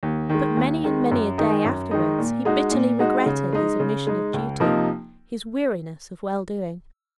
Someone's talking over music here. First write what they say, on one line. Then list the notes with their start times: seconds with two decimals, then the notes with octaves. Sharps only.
But many and many a day afterwards he bitterly regretted his omission of duty; his weariness of well-doing.
0.03 D#2
0.29 D#3 G#3
0.57 D#2
0.84 D#3 G#3
1.11 F#2
1.38 D#3 G#3 D#4
1.64 F#2
1.91 D#3 G#3 D#4
2.19 A#2
2.45 G#3 D#4 F#4
2.71 A#2
2.99 G#3 D#4 F#4
3.26 C#3
3.53 G#3 D#4
3.80 C#3
4.07 G#3 D#4
4.34 C#2
4.60 C3 F3 A#3 D#4